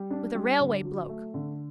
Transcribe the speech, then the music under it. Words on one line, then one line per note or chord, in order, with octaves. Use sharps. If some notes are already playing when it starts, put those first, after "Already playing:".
With a railway bloke.
Already playing: G3
D4
G3
D3
F#3
A3
D3